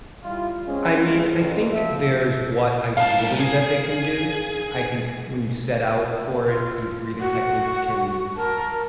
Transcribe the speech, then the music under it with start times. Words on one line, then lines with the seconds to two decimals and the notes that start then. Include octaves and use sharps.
I mean, I think there's what ideally that they can do. I think when you set out for it, these breathing techniques can
0.23 G3 E4 F4
0.67 G#3 C4 C#4
1.01 F3 G3 G#3 A#3 F4
1.35 A1 F2
1.72 C2 B2 E3 F3 E5
2.97 C2 F5 A5
3.40 G#4
6.48 F4
7.20 F#4 F#5
8.36 A#4 A5